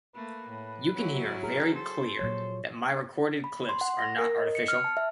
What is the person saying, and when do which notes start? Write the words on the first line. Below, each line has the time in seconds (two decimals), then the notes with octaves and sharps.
You can hear very clear that my recorded clips are not artificial.
0.15 A3 A#3 B4
0.49 A2
0.95 F#3 C#4 E4
1.43 G#4 A#4
1.74 A4 C5
2.19 A#2 F#3 C#5
3.44 B5
3.69 C6
3.81 F#5
3.99 A#6
4.19 A#4
4.37 D#5
4.55 C#7
4.68 F6
4.84 A5
4.97 E5